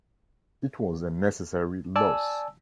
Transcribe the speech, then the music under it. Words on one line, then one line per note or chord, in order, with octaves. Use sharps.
It was a necessary loss.
D5 G#5 A5 E6